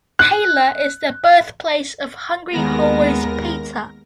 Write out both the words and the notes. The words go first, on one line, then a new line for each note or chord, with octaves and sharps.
Taylor is the birthplace of Hungry Howie's Pizza.
F#6
D#2 G#3 B3 A#4 A#6